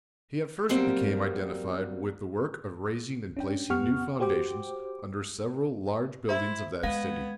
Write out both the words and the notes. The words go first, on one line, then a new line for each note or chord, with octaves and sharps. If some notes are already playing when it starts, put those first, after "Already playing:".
He at first became identified with the work of raising and placing new foundations under several large buildings of that city.
F#3 G3 A#3 C4
C#4 D4 G5
F2 B3 G4 F#5 C#6 F6
F#4 G4 C5 G5 D6
E4 C5 E5
G#3 B3 F5 G#6